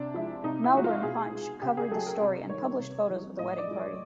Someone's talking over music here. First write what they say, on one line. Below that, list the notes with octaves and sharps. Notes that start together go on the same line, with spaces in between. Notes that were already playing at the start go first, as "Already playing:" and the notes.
Melbourne Punch covered the story and published photos of the wedding party.
Already playing: C3 D4
F3 G#3 E4
C3 D#4
E4
F3 G#3 F#4
F4
B2 G#4
G#3
C#3 G4
G#4
F#3 A4
A#4
C3
D#3 G3 C#5
C3
E3 G3
A2 D#5
D5
F3 G#3
C#5